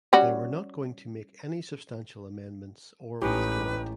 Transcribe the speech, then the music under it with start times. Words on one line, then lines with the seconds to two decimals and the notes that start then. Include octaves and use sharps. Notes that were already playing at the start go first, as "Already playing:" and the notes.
They were not going to make any substantial amendments or withdraw it.
0.13 G3 C#4 F#4
3.22 A1 A2 G#3 D#4 G4 B4